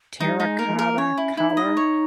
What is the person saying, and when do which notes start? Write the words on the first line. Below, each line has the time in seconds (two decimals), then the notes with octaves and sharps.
terracotta color,
0.20 G3 D#4
0.39 G#3 D#4
0.59 A#3 A#4
0.67 G#3
0.74 A#3 A#4
0.98 C#4 C#5
1.18 E4
1.37 D#4 E4
1.50 D#4
1.57 D#5
1.64 D#4
1.77 C#5